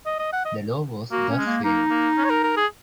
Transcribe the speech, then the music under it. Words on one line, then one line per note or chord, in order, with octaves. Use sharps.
The law was thus saved.
D#5
D#5
F#5
D#5
A#3 F#4
C#4
G#3
A#3
A#3 D#4
A#3
C#4
C#5
A#4
A#4
G#4